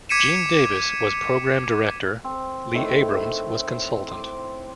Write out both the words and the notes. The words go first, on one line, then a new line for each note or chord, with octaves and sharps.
Gene Davis was Program Director, Lee Abrams was consultant.
D6 G#6 B6 C#7 D#7 E7
C4
A2 D#3 D6
C5 D6